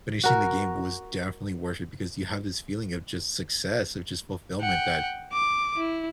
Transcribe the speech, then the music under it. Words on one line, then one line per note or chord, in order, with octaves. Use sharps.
finishing the game was definitely worth it, because you have this feeling of just success, of just fulfillment that,
F#4 A#4
F#5 G5
D6
E4